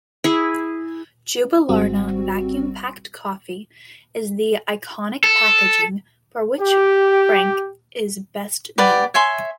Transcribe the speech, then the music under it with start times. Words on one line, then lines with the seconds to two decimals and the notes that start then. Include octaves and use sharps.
Jubilarna vacuum-packed coffee is the iconic packaging for which Franck is best known.
0.24 E4 G#4
1.69 G#1 G3 C4 F#4
5.24 A4
6.60 G4
8.78 G4 B4 D5 F#5
9.14 C#5 E5 G#5 C6